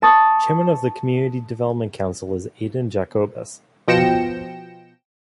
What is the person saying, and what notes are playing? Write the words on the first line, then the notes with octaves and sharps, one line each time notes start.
Chairman of their Community Development Council is Aiden Jacobus.
A5 C#6 D#6 A6
B2 F3 G5 A#6 C#7 E7